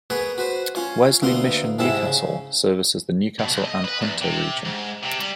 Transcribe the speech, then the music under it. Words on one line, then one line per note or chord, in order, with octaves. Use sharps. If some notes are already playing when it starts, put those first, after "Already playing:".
Wesley Mission Newcastle services the Newcastle and Hunter region.
B3 G#4 A#4 B4 C#5
F#4 B4 C5
C#4 F4 C#5 G#5
D2 A#3 B3 A#4 A#5 C6
G#2 C3 D#3 E4 G#4 A5
C#3
B2
B1
D#5
B4
E2
C3
G#2
C3
G3